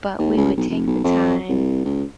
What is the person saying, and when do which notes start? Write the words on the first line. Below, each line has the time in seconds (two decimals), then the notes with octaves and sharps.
but we would take the time
0.19 D#2
0.37 C#2
0.57 B1
0.69 F1
0.87 B1
1.04 F2
1.49 C2
1.84 C#2